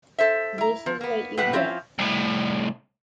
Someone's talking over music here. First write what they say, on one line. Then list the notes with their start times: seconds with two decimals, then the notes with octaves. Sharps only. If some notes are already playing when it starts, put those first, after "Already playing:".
This Is What You Get.
0.18 A4 C5 E5
0.58 E4 A#5
0.86 F3
1.01 A#3 B3
1.37 A2 B3 G4 B4 F#5
1.53 F3 C4 C#4 E4 F5
1.99 C2 A2